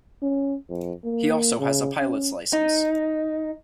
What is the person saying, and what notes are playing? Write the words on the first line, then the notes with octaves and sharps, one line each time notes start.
He also has a pilot's licence.
C#4
F2
A#3
C#3
C#4
D#4